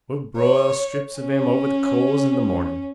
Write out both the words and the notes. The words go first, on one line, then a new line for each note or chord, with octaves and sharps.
We'll broil strips of him over the coals in the mornin'.
C#5
C#4